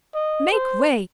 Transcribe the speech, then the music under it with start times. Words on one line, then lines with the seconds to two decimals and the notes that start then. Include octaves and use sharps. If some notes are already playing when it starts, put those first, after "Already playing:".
Make way!
0.15 D#5
0.52 C5